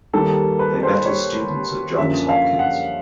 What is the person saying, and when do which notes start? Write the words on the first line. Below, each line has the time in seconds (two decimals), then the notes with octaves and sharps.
They met as students at Johns Hopkins.
0.13 D#2 D#3 G3 A#3 A4
0.59 B4
0.83 C5
1.06 C#5
1.98 F#2 D3 F3 A#3 C#4 E5
2.29 F5
2.59 F#5